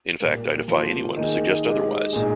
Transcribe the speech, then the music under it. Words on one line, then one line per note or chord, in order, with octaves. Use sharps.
In fact, I defy anyone to suggest otherwise.
A#2 G3 A#3
F3 A#3 F4
D#3 A#3 D#4 G#4
G#3 D#4 G4
A#2 G#3 D#4 G#4